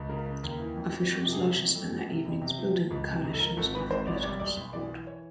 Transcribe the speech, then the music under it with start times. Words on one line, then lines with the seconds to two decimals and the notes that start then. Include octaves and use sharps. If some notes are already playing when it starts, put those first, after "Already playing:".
Officials largely spent their evenings building coalitions of political support.
Already playing: C#2
0.09 C#3 A#4
0.26 C#3
0.43 D#2 A#4
0.59 E3
0.77 F2
0.93 F2
1.10 F2 F#4
1.22 C3 G4
1.32 G#4
1.42 C#3 A4
1.59 F2
1.75 F2 A4
1.93 F2
2.09 C3
2.26 F#1
2.42 C3
2.58 F3
2.75 F3
2.91 C#2
3.08 C3
3.25 C#2
3.34 A4
3.40 F3 A#4
3.57 G#1 A4
3.73 G#2 B4
3.90 G#1 C5
4.07 B1 D5
4.16 C#5
4.23 G3 D5
4.40 B1 D5
4.57 B1
4.73 E3 D5
4.89 E3
5.07 C#5